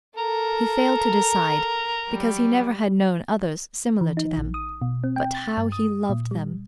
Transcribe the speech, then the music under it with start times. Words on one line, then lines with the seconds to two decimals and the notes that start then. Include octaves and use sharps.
He failed to decide, because he never had known others similar to them; but how he loved them!
0.18 A4 A#4
2.07 F#3 G3
4.01 E3
4.17 D#4
4.37 A#1
4.54 D#6
4.81 B2
5.04 C4
5.16 G5
5.35 A6
5.57 G2
5.72 D#6
6.09 A#2
6.31 G3